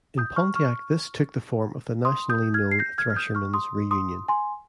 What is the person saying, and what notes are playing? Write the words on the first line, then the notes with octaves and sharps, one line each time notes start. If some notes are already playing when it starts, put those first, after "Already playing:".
In Pontiac this took the form of the nationally known Threshermen's Reunion.
D#6 G6
C#6 F6
C#6 F6
C6 D#6
D#6 G6
F6 G#6
C7
G6 A#6
F6 G#6
F6
D#6 G6
C#6 F6
C6 D#6
C6 D#6
G#5 C6